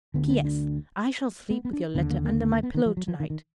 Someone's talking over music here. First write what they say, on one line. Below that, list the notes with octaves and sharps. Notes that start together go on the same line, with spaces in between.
P.S. I shall sleep with your letter under my pillow tonight.
D2 D3 B3
B3
D4
B3
B3
D4
D#2 D3 B3
A#3
A#3
A#3
A#3
B3
D#3
F3
F#3
F3
D#3
D#3